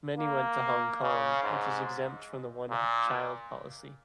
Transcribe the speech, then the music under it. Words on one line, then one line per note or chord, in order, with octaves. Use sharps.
Many went to Hong Kong, which is exempt from the one-child policy.
A#3
C#3
G#2
A#2